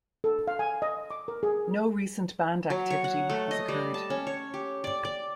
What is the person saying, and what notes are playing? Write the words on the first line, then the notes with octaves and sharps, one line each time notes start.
No recent band activity has occurred.
A4
F5
G#5
D#5
D6
A#4
G#4
F#3
C#5
F#5
A3
D#5
G3
A5
C#4
C#5
G4
D5
D5